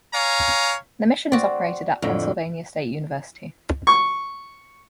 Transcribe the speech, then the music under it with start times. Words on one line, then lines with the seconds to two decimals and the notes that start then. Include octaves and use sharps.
The mission is operated at Pennsylvania State University.
0.13 C#5 F5 G#5 A#5
1.32 C4 F#4 D5
2.02 F2 A2 D3
3.87 C#6